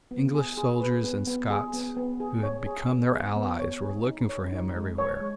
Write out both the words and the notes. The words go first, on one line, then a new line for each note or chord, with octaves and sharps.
English soldiers and Scots who had become their allies were looking for him everywhere.
B3
G#4
G#4
B4
B3
B3
G#4
B3
B3
G#4
C#5
G#4
B3
G#4
B3
C#5
G#4
D#4
C#5
D#4
G#3
C#5
G#3